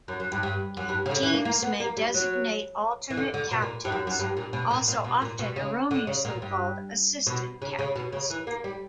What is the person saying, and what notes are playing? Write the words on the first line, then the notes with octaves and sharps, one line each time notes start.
Teams may designate alternate captains, also often erroneously called "assistant captains".
F#2
F#2
G2
G2
F#2
G2
C#3
D3
E3
A#3
A#3
B3
A#3
G3
F#3
E3
D3
D3
B2
A#2
G2
F#2
F#2
G2
A#2
B2
A#2
A#2
B2
A#2
B2
C#3
D3
C#3
A#2
G2
B2
C#3
C#3
B2
C#3
E3
A#3
G3